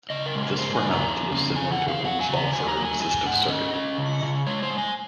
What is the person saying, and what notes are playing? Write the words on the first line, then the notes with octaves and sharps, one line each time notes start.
This formality is similar to Ohm's Law for a resistive circuit.
C#3 D#5
A#4
G#3
A#4
G#3 C5
G#5
C#3
A#5
F2
C#3
C#3 G#5
F#5
C#3
F5
F#3 F#5
G#5
C#3
A#5
F#3 G#5
A#5
F#3
G#5
G#2 G#5
G#2 F#5
C#4 D#5
C#4
C#3
C#3
G#3 C#5
C5
G#3
G#5